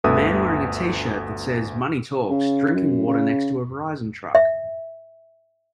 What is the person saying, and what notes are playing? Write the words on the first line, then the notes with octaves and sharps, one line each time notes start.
A man wearing a tshirt that says money talks drinking water next to a Verizon truck.
G1 D2 A4 B4 E5 D#6
C#3
F#2
C#3
E5